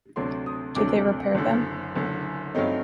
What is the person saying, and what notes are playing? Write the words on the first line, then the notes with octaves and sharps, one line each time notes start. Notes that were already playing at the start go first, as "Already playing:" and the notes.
Do they repair them?
D2 C3 F#3 A3 D4 C6
D#6
D2 C3 F#3 A3 D4 D6
F#1 F#2 D3
F#1 F#2 D3
G2 F#3 A3 C4 D#4